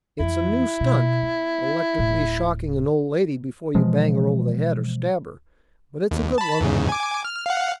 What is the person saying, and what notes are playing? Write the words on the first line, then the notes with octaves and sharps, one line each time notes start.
It's a new stunt--electrically shocking an old lady before you bang her over the head or stab her, but it's a good one.
F2 E3 E4
B2
B3
D1 A2
B2 E3 F3 G#3
D#2
A5 B5
E2 G#2 C#3
G#5 D6
F6
F5 F#5